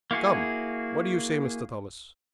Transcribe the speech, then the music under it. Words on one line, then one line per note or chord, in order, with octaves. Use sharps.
"Come, what do you say, Mr. Thomas?"
A#3 E4 F#4 G#4